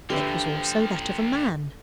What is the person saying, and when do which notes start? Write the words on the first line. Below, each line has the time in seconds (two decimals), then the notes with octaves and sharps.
It was also that of a man.
0.10 A#2 D3 F3 G4 B4 E5 G5